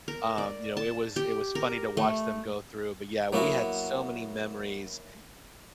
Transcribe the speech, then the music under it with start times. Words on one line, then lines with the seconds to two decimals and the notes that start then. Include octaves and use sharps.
um, you know, it was it was funny to watch them go through, but, yeah, we had so many memories
0.08 A#4
0.38 D5
0.77 A5
1.16 G4
1.55 A#4
1.97 A3
3.33 F#3 A#3 B3 E4 F#4